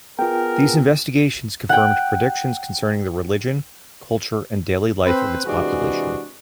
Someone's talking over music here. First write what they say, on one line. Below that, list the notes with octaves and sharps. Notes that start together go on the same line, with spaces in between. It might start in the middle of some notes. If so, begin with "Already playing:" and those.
These investigations confirmed predictions concerning the religion, culture and daily life of its population.
B3 F4 G#4 A#4 G5
F#5 G5
C4 B4 C5
C3 E3 G#3 D4 F#4 G#4